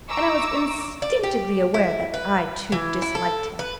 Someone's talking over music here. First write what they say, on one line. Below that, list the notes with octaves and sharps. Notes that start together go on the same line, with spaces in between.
And I was instinctively aware that I too disliked him.
A#5 C#6 D6 E6
D5
G4
E4
B4
E3
E4
A4
B4